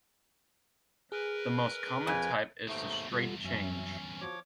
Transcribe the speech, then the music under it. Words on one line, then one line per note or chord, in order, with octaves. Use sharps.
The most common type is the straight change.
G#4 A#4 B4
F2 G#5
D#2 G#2 B2 A3 C4 A#5 C#6 D#6
E2 G2 D3 G3 F4
F#2 F#3 C#4 E5
F3 F#4 C#5 D6